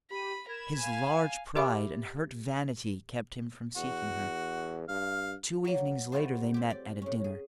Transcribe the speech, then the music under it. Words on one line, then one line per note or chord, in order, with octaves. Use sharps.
His large pride and hurt vanity kept him from seeking her. Two evenings later they met at a dinner.
G4 B5 D#7
A#4 B5 G#6 E7
F5 G#5
G4 A#4 E5 B5 D6
E2 F#4
G2 F5
F#3 A#3
G3 A3 B3 F4 C5
C4 G4
D5 G5
A2 C#4
G#4